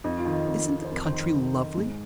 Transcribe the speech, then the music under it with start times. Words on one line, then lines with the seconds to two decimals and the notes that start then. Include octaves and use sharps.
Isn't the country lovely!
0.04 F2 D#4
0.19 F4
0.25 D#3
0.34 D#4
0.47 F2
0.69 D#3
0.85 C5
0.90 F2 A#4
1.05 C5
1.12 D#3
1.19 D#5
1.34 F2
1.56 D#3
1.77 G#2